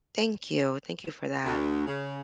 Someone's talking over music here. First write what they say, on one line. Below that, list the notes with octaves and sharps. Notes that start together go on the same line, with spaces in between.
thank you, thank you for that,
D2
C#3